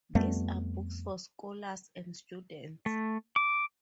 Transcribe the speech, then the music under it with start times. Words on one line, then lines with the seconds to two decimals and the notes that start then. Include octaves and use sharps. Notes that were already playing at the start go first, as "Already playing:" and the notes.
These are books for scholars and students.
0.15 F2 G3 A3 B3
2.86 A3
3.36 D6